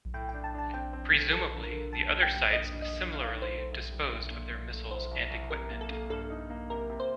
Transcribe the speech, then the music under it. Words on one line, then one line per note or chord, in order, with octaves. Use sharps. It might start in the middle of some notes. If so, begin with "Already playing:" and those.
Presumably, the other sites similarly disposed of their missiles and equipment.
A2 G5
D4 G5
A5
D4 A5
C4 G5
C4
A3
F3 A4
D3
A#4
D3
D#2 A5
G3
G5
D#2
G2 D#5
G2
D#5
D3
D#3 F5
D#3
C5
A3
D2
G3
D2
A#2
A#2
A3
C2 C5
C2
C2
C3 A#4
A#3
A4
A#3
G2 A4
D#4
A#3
C3 A#4
C3
C5